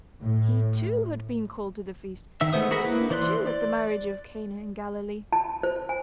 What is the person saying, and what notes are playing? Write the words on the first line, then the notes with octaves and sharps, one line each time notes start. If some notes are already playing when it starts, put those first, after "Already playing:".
He, too, had been called to the feast. He, too, at the marriage of Cana in Galilee....
A2
D#3 E5 E6
G#3 A3 B3 C5 D#6
F#4 G#4 A#4 B5
A#3 E4 B4
E3 C5 D5 C6 F#6
D5
A5
C5
G#5